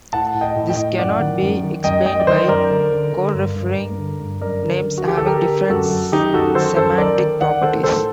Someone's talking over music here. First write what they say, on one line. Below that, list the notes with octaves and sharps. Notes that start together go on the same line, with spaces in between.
This cannot be explained by coreferring names having different semantic properties.
A2 F#5 A5
A2
D#5 G5
A2
D#5 G5
A2
F#2 D5 F#5
D#3
F#2
D#3
F#2 D#5 G5
F#2 D#5 G5
D5
D#3 C5 D#5
F#2 A#4 D5
D3
D3
D3
G2
G2
G2
D3
G2
F#2 A#4 D5
D3
D3
F#4
D3 G4
A4
D3 G4 A#4
D3
F#2 F#4 A4
F#2
D#3 D#4 G4
F#2 F#4 A4
D#3 A4 C5
F#2 A4 C5
D#3 A#4 D5
D#3
D#3 D5 F#5
D#3 A4 C5
A2 A4 C5